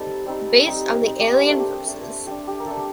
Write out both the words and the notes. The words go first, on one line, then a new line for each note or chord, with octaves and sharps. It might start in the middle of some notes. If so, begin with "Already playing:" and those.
Based on the Alien vs.
Already playing: G3 C4 D#4 A4
G3 C4 D#4
G3 C4 D#4
G3 C4 D#4
G4
C5
A3 D4 A#4
G4
A3 D4
A3 D4 G4
G4
A#4
A3 D4 A4